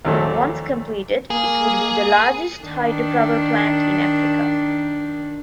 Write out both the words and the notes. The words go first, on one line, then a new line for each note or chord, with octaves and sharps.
Once completed, it would be the largest hydropower plant in Africa.
D#2 A#2 F3 F#3 A3
A#3 G#4
D#3 D4